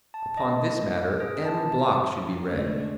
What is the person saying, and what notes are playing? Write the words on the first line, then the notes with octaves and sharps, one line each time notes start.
Upon this matter M. Bloch should be read.
A5
D#5
G#4
A5
F3 C#4
D3 G#3 A3